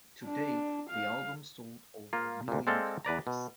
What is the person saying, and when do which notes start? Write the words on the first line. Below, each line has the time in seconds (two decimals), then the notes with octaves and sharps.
To date the album sold over a million copies.
0.25 D4
0.91 F5
2.13 A#3 F4
2.48 D2 A#2
2.67 G#3 C4 A4 D5 F5 G5
3.05 E2 B4 D5 A#5
3.27 B2